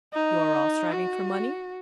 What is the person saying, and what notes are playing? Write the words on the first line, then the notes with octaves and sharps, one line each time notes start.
You are all striving for money.
D#4
F#4